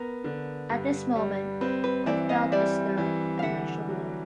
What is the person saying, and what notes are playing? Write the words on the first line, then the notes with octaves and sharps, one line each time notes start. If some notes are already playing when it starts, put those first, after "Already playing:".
At this moment I felt a stir at my shoulder.
Already playing: B3 A#4
D3
G2
G3
C4 B4
B4
E3 D5 E5
D#5 F5
G3 D5 E5
E3
F5
D3 E5 F#5
F#3